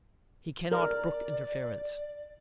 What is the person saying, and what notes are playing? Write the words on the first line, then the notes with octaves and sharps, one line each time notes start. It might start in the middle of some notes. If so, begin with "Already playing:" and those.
He cannot brook interference.
A#4 D5